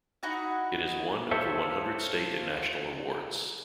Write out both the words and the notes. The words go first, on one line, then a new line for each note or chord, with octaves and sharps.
It has won over one hundred state and national awards.
D#4 E4 F#4 F#5
F4 A4 C5 C#5 E5